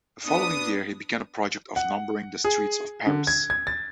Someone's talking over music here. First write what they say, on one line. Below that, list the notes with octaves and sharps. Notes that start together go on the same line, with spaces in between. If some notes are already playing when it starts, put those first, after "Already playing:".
The following year, he began a project of numbering the streets of Paris.
B3 D4 D#6
F#5
G#4
D3
G#6
G#6
A6